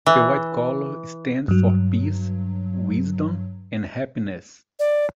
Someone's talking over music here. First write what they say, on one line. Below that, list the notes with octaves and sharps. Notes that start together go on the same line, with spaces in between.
The white color stands for peace, wisdom and happiness.
E3
G2 F#3
D5